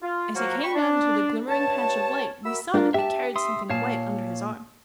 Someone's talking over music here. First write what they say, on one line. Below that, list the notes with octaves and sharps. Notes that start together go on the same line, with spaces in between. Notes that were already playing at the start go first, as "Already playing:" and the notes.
As he came out into the glimmering patch of light, we saw that he carried something white under his arm.
F4
F3 F#3 A#3 F#4
G5 B5 C#6
D4
G2 C#5 A5
F#4 A#4 E5 B5 E6
D4 F4 A#4
G4 E5 A5
E5 C6 D#6
A#2 C#5 F5 A5